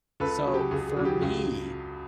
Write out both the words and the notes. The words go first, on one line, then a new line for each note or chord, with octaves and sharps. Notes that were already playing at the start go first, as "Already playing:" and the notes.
So, for me,
C#2 A4 B4
C#3 F#3
G4
C#2 G#4
G#4
C#3 F#3
G4
C#2 G4